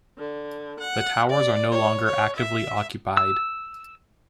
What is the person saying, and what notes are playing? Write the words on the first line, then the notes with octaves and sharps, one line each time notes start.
The towers are no longer actively occupied.
D3
F#5
D5
C#5
C#5
E5
E6